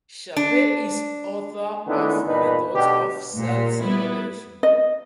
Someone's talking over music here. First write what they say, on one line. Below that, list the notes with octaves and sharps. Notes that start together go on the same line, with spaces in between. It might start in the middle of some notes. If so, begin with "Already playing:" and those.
Sharpe is author of "Methods of Cell Separation".
D4
D3 D#3 A3 B3 C#4 E4
E2 G2 A#2 D#4 B4
D2 B2 G4
A#2
G3 B3 E4 B4
D#5